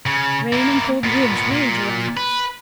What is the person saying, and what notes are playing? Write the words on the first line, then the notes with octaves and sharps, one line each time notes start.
Rain and cold winds rage around us.
C#3
A#3 E4
A#2 B3
A#2
B4